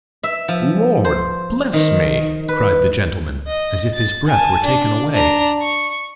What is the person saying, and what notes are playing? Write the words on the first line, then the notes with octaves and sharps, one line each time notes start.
"Lord bless me!" cried the gentleman, as if his breath were taken away.
E5
F3
C5
D#3
B4
D#5
A6
G#5 A5
D4
D4 A#5
C#6